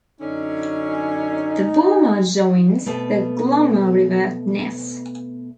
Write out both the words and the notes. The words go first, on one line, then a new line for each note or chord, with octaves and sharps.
The Vorma joins the Glomma River at Nes.
F#2 D3 C#4 D#4
B2 A3 B3 C4 A4 B4